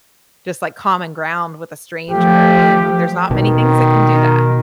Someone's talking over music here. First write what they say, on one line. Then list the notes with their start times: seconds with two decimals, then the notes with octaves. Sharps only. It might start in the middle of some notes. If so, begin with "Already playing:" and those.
just, like, common ground with a stranger, and there's not many things that can do that.
2.11 F3 A3 G4
3.31 B2 D#3